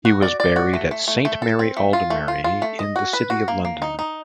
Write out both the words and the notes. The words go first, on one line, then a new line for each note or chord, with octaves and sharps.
He was buried at Saint Mary Aldermary in the City of London.
F#4
D5
D5
F#4
A3
A3
A3
A3
A4
C4
A3
F4
A3
F4
F4
A3
D#5
F#4
B4
F#4
A#3
A#3
D#4
D#4